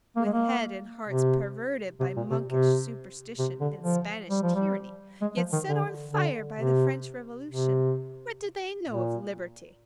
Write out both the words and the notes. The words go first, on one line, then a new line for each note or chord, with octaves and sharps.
With head and hearts perverted by monkish superstition and Spanish tyranny, yet set on fire by the French Revolution, what did they know of liberty!
A#3
G#3
A#3
C3
C3
A#2
C3
C3
C3
D3
F3
G3
F3
G3
G#3
F3
D#3
D3
D3
C3
C3
A#2